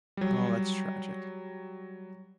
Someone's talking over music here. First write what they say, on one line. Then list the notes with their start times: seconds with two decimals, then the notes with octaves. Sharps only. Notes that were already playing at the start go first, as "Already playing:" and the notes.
Oh, that's tragic.
0.17 F#3 G3